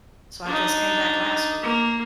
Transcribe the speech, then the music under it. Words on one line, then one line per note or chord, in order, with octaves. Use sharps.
So I just came back last week,
D4 D#4
A#3